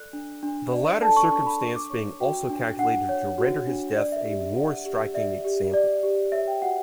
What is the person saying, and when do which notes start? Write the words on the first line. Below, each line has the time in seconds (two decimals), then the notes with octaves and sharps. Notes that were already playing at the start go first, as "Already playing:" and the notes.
The latter circumstance being also calculated to render his death a more striking example.
Already playing: A4 D5 F#6
0.13 D4
0.43 D4
0.73 D5
1.02 A4 A5
1.17 C#6
1.32 D4 C#6
1.46 B5
1.61 D4 C#6
1.76 D6
1.90 C#5 C#6
2.20 F#4 G5
2.49 D4
2.79 D4 F#5
3.09 C#5
3.38 F#4
3.67 D4
3.96 D5
4.12 E5
4.26 G4 E5
4.41 E5
4.55 D5 F#5
4.85 G4
5.14 D5 E5
5.45 G4
5.73 D5
6.03 G4
6.32 C#5 E5
6.47 G5
6.62 F#4 F#5